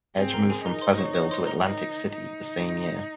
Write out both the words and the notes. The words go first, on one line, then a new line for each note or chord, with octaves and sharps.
Edge moved from Pleasantville to Atlantic City the same year.
C4 G#4 G#5
A#4 A#5
G#4 G#5
D#4 A#4 A#5
C5 C6
C#5 C#6
C#5 C#6
C5 C6
A#4 A#5
D#4
D#4
D#5